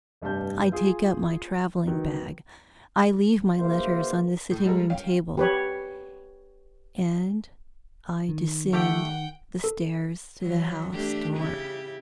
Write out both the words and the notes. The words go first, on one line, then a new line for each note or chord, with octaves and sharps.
I take up my traveling-bag; I leave my letters on the sitting-room table; and I descend the stairs to the house door.
F1 G2 G3 B3 A5 G6
F4 G#4
D#3 F#3 B3
C#3 A#3 E4 F#4 B4 C5
A2
G3 G#3 A4 A#4
C#4 F5 G5
G4 B4 C#5
D#3
D#3 A3 G4 F#5 G5
A4
E3 F#3
A3 D4 G4
C#3 E4 G4